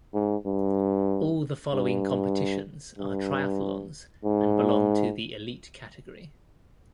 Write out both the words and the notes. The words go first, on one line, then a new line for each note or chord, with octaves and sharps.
All the following competitions are triathlons and belong to the "Elite" category.
G#2
G2
G2
G2
G#2